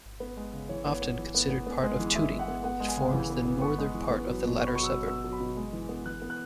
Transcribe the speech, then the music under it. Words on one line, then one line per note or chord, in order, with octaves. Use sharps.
Often considered part of Tooting, it forms the northern part of the latter suburb.
B3 B4
G#3
C#3
E3 C#5
B3
C#5
B3
E3
B3
B3
B3
G#3
E3
G#3 E5
E3
F#5
B3
B3 F#5
G#3
G#5
C#3
E3
B3
B3
B3 C#6
G#3
E3
B3
F#3
B2
B3 C#6
B5
F#3 C#6
E6
B2
B3 E6
F#3
B5
B2
G#3
E3
B3
E3 F#6
B3
F#6